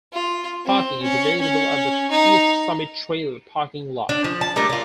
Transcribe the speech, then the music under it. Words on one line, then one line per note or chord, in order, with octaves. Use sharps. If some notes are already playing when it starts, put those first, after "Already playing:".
Parking is available at the East Summit Trail parking lot.
F4
C4
C#4
C#4
D#4
D4
F3
A5
G3 A3 A#3 D4
D4 F4